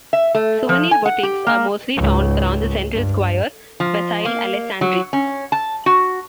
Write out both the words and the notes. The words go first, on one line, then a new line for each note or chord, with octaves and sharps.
Souvenir boutiques are mostly found around the central square Vasile Alecsandri.
E5
A3
F3
G#5
F#5
G4
A#3
C#2 G#2
G2
F3
A#3
F#3
C#4
A5
F#4